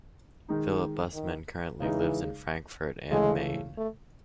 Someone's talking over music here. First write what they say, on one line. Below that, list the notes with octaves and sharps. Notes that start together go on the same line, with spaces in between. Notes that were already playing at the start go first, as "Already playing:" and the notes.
Philip Bussmann currently lives in Frankfurt am Main.
D#3 G#3 D#4
D#3
C#3 E3 G#3 D#4
C#3 E3 G#3 A3
A3